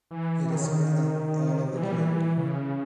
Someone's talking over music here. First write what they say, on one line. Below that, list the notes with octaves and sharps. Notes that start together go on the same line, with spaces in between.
It is spread out all over the world.
E3
E3
D#3
C#3
D#3
E3
G3
E3
C#3